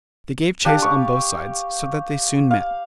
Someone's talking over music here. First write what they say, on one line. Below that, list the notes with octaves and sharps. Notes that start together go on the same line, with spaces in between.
They gave chase on both sides, so that they soon met.
D4 G4 F5
C#6
F5